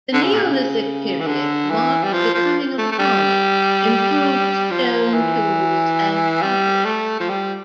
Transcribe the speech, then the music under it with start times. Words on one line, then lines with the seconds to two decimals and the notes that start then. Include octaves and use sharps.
The Neolithic Period marked the coming of farming, improved stone tools and pottery.
0.13 D3
0.23 C#3
0.33 A#2
0.43 C#3
1.20 E3
1.27 D3
1.71 E3
2.03 G3
2.13 F3
2.35 F3
2.78 A3
2.92 A3
2.99 G3
4.71 F3
5.14 E3
6.42 G3
6.85 A3
7.20 F3
7.29 G3